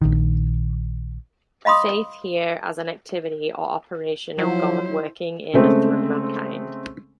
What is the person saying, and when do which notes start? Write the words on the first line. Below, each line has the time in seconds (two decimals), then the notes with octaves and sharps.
Faith here as an activity or operation of God working in and through mankind.
0.02 A#1 D#3
1.65 D#5 F5 B5 C6 D#6
4.38 F3 F#3 E4 C5
5.54 C#3 G#3 A3 C4